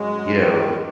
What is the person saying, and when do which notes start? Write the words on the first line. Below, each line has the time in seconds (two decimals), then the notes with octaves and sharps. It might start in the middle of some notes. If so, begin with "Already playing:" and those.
you know,
Already playing: G#2 F#3 G#3 C#4 F#4
0.14 G#2
0.36 D#3 F#3
0.59 C#4